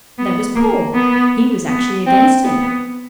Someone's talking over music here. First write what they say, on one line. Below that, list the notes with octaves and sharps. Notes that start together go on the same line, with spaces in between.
There was Paul; he was actually against Him.
B3
A#3
B3
B3
C4
B3